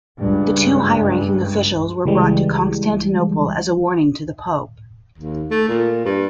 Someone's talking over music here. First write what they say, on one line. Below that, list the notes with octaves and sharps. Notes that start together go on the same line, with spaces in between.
The two high-ranking officials were brought to Constantinople as a warning to the pope.
C#2 G2
C#2 E3 G3 G#3
D#2
A3
A#2
G2